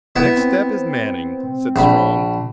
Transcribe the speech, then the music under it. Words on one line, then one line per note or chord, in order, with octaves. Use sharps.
"Next step is Manning," said Strong.
B3 E4 E5
C4
A#1 B5